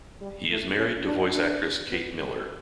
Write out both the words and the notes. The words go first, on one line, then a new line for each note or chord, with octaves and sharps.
He is married to voice actress Kate Miller.
G3
A3
C#4
D4
D4
B3
G3